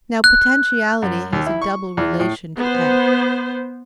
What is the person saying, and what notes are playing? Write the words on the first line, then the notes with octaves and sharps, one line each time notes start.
Now, potentiality has a double relation to act.
F#6
F#2
D#2
E4
C#6
E2
A2
B3 C5